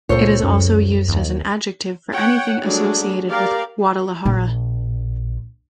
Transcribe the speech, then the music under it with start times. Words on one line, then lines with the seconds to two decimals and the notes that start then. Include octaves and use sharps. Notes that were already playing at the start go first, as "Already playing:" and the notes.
It is also used as an adjective for anything associated with Guadalajara.
0.09 C#2 A#2 A4 C5 C#5
0.43 F#2
1.09 D#2
2.13 C#5 F#5 G5
2.63 F#3 G3 A3 D4 F#4 G#4
3.28 G4 A#4 D5 F5
4.25 A#1